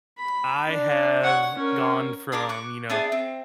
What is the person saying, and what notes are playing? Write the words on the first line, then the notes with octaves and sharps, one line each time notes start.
I have gone from, you know,
B5
D4
C#5 F#5
C#4 A#4
D4 G#4 A#4 D6
C#6 D6 F#6
B3 D4 E4 G#4
C4